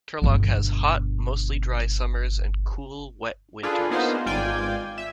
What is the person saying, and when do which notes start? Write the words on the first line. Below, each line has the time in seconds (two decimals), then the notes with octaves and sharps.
Turlock has hot, mostly dry summers and cool, wet winters.
0.22 G1 B2
3.63 D4 F4 G#4 A4 B4
3.91 A#3 B3 D#4 F4 G#4 C5
4.26 G#1 F4 D5 G5 G#5
4.98 E5